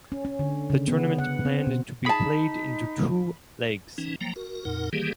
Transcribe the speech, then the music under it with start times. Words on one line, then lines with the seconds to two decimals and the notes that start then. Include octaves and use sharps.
The tournament planned to be played into two legs.
0.12 C#4
0.25 C#4
0.39 D3
0.70 C#3
0.88 B3
1.18 F#5
1.45 C4
1.67 B2
2.06 D#4 G#4 A5 B5
3.98 E3 C#4 D#4
4.21 F3 F#3 A#3 G5 A#5
4.36 F#4 A#4
4.65 F2 A#2 D#4 A#4 F#5
4.93 D#3 E3 G3 A#3 G4 G#4